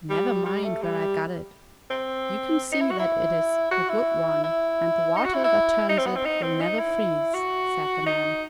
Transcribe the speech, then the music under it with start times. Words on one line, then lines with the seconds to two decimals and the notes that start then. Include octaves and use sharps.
"Never mind where I got it; you can see that it is a good one, and the water that turns it will never freeze," said the man.
0.10 G3
0.45 G3
0.64 A3
0.82 G3
1.90 C4
2.72 D#4
2.81 E4
2.90 F#4
2.99 E4
3.71 F#4
3.89 E4
4.44 E4
5.16 D#4
5.25 F#4
5.34 E4
5.44 E4
5.89 D#4
5.98 C4
6.06 B3
6.16 C4
6.25 D#4
6.42 C4
6.61 D#4
6.79 E4
7.34 F#4
8.06 D#4